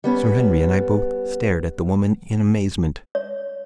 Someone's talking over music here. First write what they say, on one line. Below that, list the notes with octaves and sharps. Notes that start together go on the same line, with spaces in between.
Sir Henry and I both stared at the woman in amazement.
G3 B3 C#4
C#5